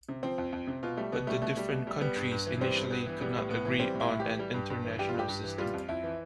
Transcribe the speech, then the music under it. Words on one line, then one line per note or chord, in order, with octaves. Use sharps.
But the different countries initially could not agree on an international system.
C3
F3 C4
F2
F2
C3
B2 F4
G3 A3
B2 B3
G3 A3
B2 A3
G3
B2
G3
G3 B3
G2
G2
E3
G3 C4
G2
G2 B3
E3
G3 B3
A2
A2 B3
E3
G3 C4
A2
E4
A2
E3 G4
G3
G2
G2
E3
G3 G4
F4
G2
G4
G2
E3
G3 F4
F2
F2 E4
E3